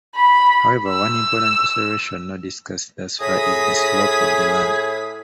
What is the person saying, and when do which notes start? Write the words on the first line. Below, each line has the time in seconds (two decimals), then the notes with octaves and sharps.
However, one important consideration not discussed thus far is the slope of the land.
0.15 B5
0.88 E6
3.21 A2 G#4 D#5 D#6 B6
4.06 G#5